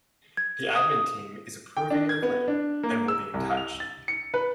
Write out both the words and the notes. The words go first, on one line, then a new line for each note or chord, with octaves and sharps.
The admin team is approving your claim and will be in touch.
G#6
D#6
G5
D4
G#6
B3
D4
A#3
E6
C2
F7
A6
C#7
B4